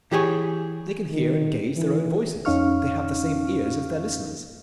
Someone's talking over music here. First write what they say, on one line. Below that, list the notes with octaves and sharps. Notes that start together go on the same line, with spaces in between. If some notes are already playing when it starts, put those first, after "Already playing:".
They can hear and gauge their own voices. They have the same ears as their listeners.
E3 G4 G#4 C#5
D#3
E3
F2 C#4 D#4 F5 C#6 F6